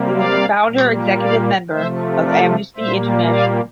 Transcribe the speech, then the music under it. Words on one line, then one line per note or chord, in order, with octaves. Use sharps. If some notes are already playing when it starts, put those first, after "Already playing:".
He was the founder executive member of Amnesty International.
Already playing: C3 G3 A#3
D5 F5
A#2 G3 A#3
D5 F5
C3 F3 A3 C5 E5
A#4 D5
A#2 G3 A#3 C5 E5
D5 F5